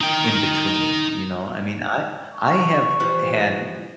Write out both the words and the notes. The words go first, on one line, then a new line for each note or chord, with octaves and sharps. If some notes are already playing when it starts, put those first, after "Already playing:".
in between. You know? I mean, I I have had,
D#4 G5
C#6
E3 F3 G3